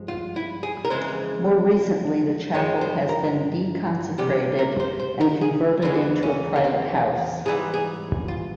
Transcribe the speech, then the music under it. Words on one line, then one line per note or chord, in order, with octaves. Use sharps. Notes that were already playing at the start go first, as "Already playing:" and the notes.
More recently the chapel has been deconsecrated and converted into a private house.
Already playing: G2 F3 G#3
F4
E4
G#4
A#4
F2 C#3 E3 G#3 C5
G2 F3 G#3 C#5
C5
A#4
C#2 C3 G3 G4
A#4
C5
C5
A#4
G#4
E2 C#3 E3 G#3 F4
C#4
A#3
C4
G#2 E3 G3 G#4
G#4
F4